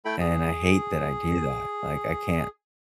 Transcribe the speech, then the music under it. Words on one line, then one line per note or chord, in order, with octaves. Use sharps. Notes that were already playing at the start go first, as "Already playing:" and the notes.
and I hate that I do that, like, I can't
A3 E4 A4 G5 B5
G#4